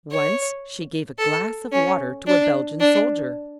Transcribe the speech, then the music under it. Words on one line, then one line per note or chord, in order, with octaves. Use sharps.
Once she gave a glass of water to a Belgian soldier.
C#5
A4
C#4
D4
D4